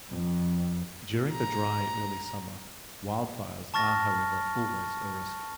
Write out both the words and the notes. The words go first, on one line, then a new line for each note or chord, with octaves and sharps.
During the dry early summer wildfires are however always a risk.
F2
A#5
A5 C#6 F6 A6 A#6